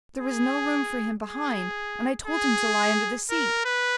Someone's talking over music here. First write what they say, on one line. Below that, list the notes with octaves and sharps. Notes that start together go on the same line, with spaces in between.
There was no room for him behind, and I told him to lie under the seat.
G#4
G#4
G#4
A#4
B4